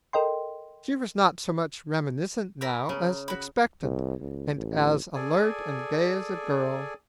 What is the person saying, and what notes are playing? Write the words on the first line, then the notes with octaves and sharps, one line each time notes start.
She was not so much reminiscent now as expectant, and as alert and gay as a girl.
A4 A#4 D#5 G5 C6
A#4 B5 E6
C#3
F#4 B5
C2
C#2
A1
G#4 A4 D5 G#5